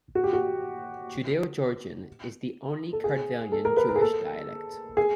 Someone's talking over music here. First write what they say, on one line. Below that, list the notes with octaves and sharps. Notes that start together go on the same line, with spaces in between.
Judaeo-Georgian is the only Kartvelian Jewish dialect.
F#4
G4
F#4
A4
G#4
A4
A#4
B4
A#4
G#4
A4
G#4